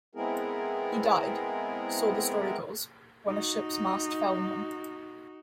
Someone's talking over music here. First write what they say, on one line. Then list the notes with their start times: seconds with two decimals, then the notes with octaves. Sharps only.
He died, so the story goes, when a ship's mast fell on him.
0.15 G#3 B3 C4 E4 G#4 A#4
3.27 D#4 F#4